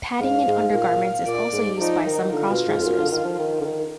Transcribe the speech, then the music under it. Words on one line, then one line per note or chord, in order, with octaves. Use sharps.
Padding in undergarments is also used by some crossdressers.
G#2 F5
G#2
A#2 F5
A#2 D5
G#2
F3 D#4
D#3
D#3
D3 F4
B2
G#2
F2
F#2
D3
D#3
F3
D#3
D3
D#3